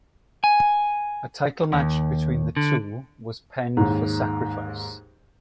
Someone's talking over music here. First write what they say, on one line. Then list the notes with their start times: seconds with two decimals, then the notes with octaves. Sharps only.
A title match between the two was penned for Sacrifice.
0.44 G#5
1.73 D#2
2.57 D3
3.77 D#2 G#2